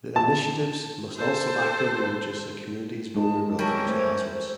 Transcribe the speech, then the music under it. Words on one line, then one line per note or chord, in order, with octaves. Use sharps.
The initiatives must also actively reduce a community's vulnerability to hazards.
A5
A4 C5
G#3 D#4 F4 A5
E3 F#3 G3 C#4 A#4 A5
A3 C5